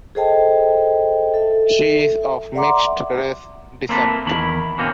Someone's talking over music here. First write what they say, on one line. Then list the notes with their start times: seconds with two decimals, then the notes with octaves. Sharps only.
She is of mixed race descent.
0.15 G#4 A4 C5 D#5 G5 A5
1.34 A4 E5
2.55 D5 E5 F#5 A#5 C6 D6
3.89 A#3 C4 E4 A4 B4
4.26 E2 D#3 E4 B5
4.78 B2 D3 A#3 C4 C#4